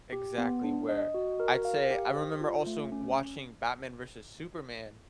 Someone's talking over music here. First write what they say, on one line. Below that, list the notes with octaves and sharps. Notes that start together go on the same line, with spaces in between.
Exactly, where, I'd say I remember also watching Batman v Superman,
G4
B3
D4
D#5
F#4
A#4
F5
G4
C5
F4
A3
C#4